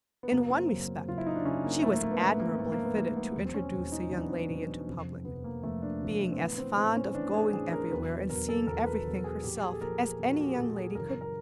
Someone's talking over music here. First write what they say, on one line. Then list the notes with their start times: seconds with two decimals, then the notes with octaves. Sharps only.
In one respect she was admirably fitted to introduce a young lady into public, being as fond of going everywhere and seeing everything herself as any young lady could be.
0.23 B3
0.31 F#2 C#3 F#3 A#3
0.50 C4
0.69 F#2 C#3 F#3
1.07 F#2 C#3 F#3 F4
1.18 E4
1.27 D#4
1.35 D4
1.45 F#2 C#3 F#3 C#4
1.64 A#3
1.83 G#2 F3 A3
1.92 A#3
2.02 A#3
2.11 B3
2.21 G#2 F3 A3
2.39 A#3
2.59 G#2 F3 A3
2.72 A#3
2.85 B3
2.97 G#2 F3 A#3
3.16 B3
3.34 E2 B2 F#3
3.45 C4
3.54 C#4
3.73 E2 B2 F#3
3.92 D#4
4.11 E2 B2 F#3 D4
4.23 B3
4.30 C4
4.49 E2 B2 F#3
4.87 F2 C3 F3
5.25 F2 C3 F3 B3
5.44 A#3
5.63 F2 C3 F3 A3
5.82 D4
6.01 F2 C3 F3
6.32 C4
6.39 A2 E3 B3
6.58 C4
6.77 A2 E3 C4
6.96 C#4
7.15 A2 E3 D4
7.34 G#4
7.53 A2 E3 G#4
7.72 A#4
7.91 E2 B2 F#3 B4
8.29 E2 B2 F#3 A#4
8.49 A4
8.67 E2 B2 F#3 A#4
8.86 B4
9.05 E2 B2 F#3
9.24 G#4
9.43 A#2 F3 G4
9.62 G#4
9.73 A4
9.81 A#2 F3 A#4
10.19 A#2 F3
10.33 F#4
10.41 G4
10.49 G#4
10.57 A#2 F3 A4
10.71 G4
10.76 G#4
10.95 F#2 C#3 E3 A#4
11.21 A#4